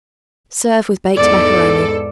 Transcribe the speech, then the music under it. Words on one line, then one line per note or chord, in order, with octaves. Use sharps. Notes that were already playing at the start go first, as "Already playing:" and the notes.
Serve with baked macaroni.
E2 G#2 A4 D5